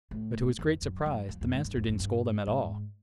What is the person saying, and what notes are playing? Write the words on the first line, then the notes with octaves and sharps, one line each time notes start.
But to his great surprise the master didn't scold at all.
A2
E2
F#2
F#2
F2
F2
G#2
G2
F2
F#2
G2
G#2